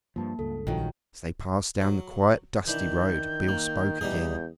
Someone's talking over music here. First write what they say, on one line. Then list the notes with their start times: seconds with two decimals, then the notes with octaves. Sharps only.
As they passed down the quiet, dusty road Beale spoke again.
0.16 G2 F3 A#3 A5
0.39 C#2 G2 A4
0.67 A#1 D#3 F3 F#3
1.82 F#3
2.67 D#3 E3 D4 G6
3.48 A#3
4.01 E2 G3 D#4 G#4